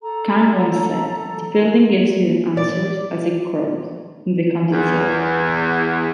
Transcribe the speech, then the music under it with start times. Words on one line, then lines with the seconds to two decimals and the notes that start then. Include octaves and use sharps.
Kahn once said, the building gives you answers as it grows and becomes itself.
0.02 A4 A#5
2.57 D5
4.72 E2